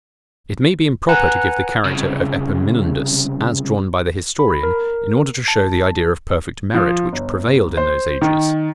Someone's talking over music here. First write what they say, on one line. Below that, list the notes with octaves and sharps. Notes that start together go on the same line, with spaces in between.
It may be improper to give the character of Epaminondas, as drawn by the historian, in order to show the idea of perfect merit, which prevailed in those ages.
B4 F#5 G#5 A#5 F#6
C2 C#3
B5
A#4
A5
F3
G1
C5
D#3